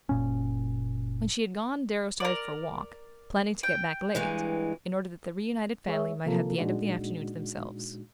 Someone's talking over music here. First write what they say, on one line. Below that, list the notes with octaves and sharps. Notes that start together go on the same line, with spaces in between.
When she had gone Darrow started for a walk, planning to get back late, in order that the reunited family might have the end of the afternoon to themselves.
F#1 A#2 C#4
A#4 D5
G5
G2 E3 G#3
G#3 G#4 C#5 E5
C3 F3 A#3 F4 A4 A#4
A#2 G#3 D4 D#4 F#4